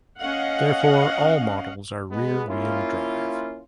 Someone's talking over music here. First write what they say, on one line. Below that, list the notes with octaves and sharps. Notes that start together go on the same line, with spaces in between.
Therefore, all models are rear-wheel drive.
C#4 D#5 F5 F#5
G#3 B3
A#3 C#4 E4 F4